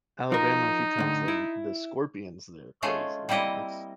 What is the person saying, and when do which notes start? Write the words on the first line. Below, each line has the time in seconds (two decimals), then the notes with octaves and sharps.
Alabama a few times and the scorpions, there crazy, man, it's
0.32 F3 D#4 A#4
0.99 A2 D3
1.28 E4
2.83 G#3 A3 C#4 F4
3.29 G3 A#3 C4 E4 D#5